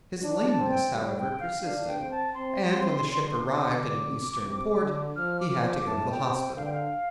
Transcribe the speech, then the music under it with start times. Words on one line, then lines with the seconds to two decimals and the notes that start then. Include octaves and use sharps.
His lameness, however, persisted, and when the ship arrived at an Eastern port he had to go to the hospital.
0.23 D4
0.46 A5
0.59 C4
0.71 G5
0.93 G3
1.18 G5
1.40 F5
1.64 D4 F5
1.88 G5
2.00 C4
2.11 A5
2.34 C4 C6
2.70 C4
3.05 D3
3.41 D3
3.75 D6
4.46 C3
4.81 D3
5.16 F3 F6
5.40 D6
5.51 F3
5.63 D6
5.86 A2 A5
6.10 G5
6.23 C3
6.34 G5
6.57 D3 F5
6.65 G5
6.72 F5